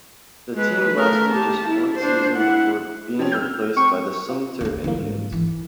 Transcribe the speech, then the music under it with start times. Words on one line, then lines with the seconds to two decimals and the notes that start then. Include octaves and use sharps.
The team lasted just one season before being replaced by the Sumter Indians.
0.55 G#3 B4
0.95 A3 A#4
1.30 G4 A5
1.69 E4
1.99 D4 C5
2.37 E4 F#5
3.19 F3 C4 C#4
3.32 E6 F6 G6
3.76 C4 C#6
4.29 F4
4.61 D2 A#3
4.84 D3 E3 F#3 A#3
4.99 G#2
5.32 E3